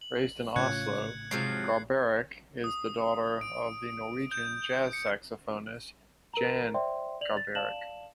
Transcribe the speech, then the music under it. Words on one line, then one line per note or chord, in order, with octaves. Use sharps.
Raised in Oslo, Garbarek is the daughter of the Norwegian jazz saxophonist Jan Garbarek.
F#7
A2 C#3 A3 C#4 F4 F#6 G#6 C#7
G#2 C3 F3 F#3 G#3 C7
D#6
D7
G6
C#7
A#4 A#5
C5 D5 E5 G5 C6
D5 F7 F#7
A6
D5 F5 A5 E7 F#7